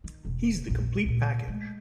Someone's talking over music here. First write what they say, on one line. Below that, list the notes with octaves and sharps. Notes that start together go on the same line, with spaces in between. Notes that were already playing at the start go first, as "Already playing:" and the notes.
He's the complete package.
D#3
E1 B2
A#1 E2
C#2 A#2
G#3 A3